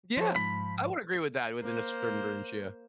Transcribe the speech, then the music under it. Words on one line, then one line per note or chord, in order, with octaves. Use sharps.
Yeah. I would agree with that within a certain range. Yeah.
F3 C5 C#5
G#2 B5
A#3 C5